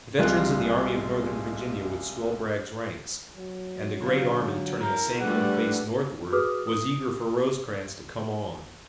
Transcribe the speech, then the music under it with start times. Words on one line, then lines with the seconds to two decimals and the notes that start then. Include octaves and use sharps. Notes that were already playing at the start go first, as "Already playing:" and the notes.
The veterans of the Army of Northern Virginia would swell Bragg's ranks, and the great army, turning a sanguine face northward, was eager for Rosecrans to come on.
0.18 C2 G3 G#3 F4 F#6
3.36 F#3
4.02 D3 F4
4.81 E4 A#4 A#5
5.21 G3 A3 D4 G#4 B4 F#5
6.32 F#4 G#4 B4 D6 D#6 F6
6.67 D#6